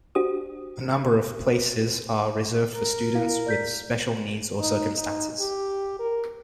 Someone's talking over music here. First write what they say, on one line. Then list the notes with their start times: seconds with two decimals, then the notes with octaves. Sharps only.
A number of places are reserved for students with special needs or circumstances.
0.15 D4 F#4 G4 C5 D#6
2.75 A#4
3.15 E4 F5
3.46 D5 G6 B6
4.60 D#4
4.97 D#4
5.40 G4
5.99 A#4